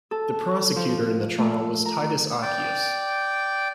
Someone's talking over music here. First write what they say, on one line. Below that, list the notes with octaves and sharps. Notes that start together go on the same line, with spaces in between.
The prosecutor in the trial was Titus Accius.
A4
F3
A3
A#5
D5 G5